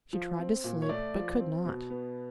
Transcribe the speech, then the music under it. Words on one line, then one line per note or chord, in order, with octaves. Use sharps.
She tried to sleep, but could not.
F3
C4
A#2
C#5
A3 D5
F3
C4
B2
B3